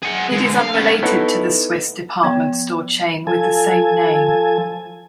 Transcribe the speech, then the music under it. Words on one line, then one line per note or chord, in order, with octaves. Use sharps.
It is unrelated to the Swiss department store chain with the same name.
G#4 F#5
D3 G#3
F5
B3 C#4
B3 D#4 E4 A4 C#5
F3 B3
F3 A4 G#5